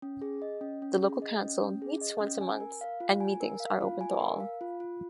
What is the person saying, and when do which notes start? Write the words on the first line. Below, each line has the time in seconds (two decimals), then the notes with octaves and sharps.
The local council meets once a month and meetings are open to all.
0.02 C#4
0.22 G#4
0.42 D#5
0.61 C#4
0.82 C#4
1.02 G#4
1.22 D#5
1.41 C#4
1.62 C#4
1.82 G#4
2.01 D#5
2.20 C#4
2.41 G#5
2.60 A#4
2.81 F5
3.00 F4
3.20 G#5
3.41 A#4
3.60 F5
3.81 F4
4.01 G#5
4.20 A#4
4.40 F5
4.61 F4
4.80 F4